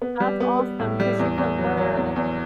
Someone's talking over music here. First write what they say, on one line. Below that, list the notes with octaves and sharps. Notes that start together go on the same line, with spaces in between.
That's awesome, 'cause you can learn
B3
G3
B3
B3
A2
G3
E2
E2
F#3
F#3
E2
E2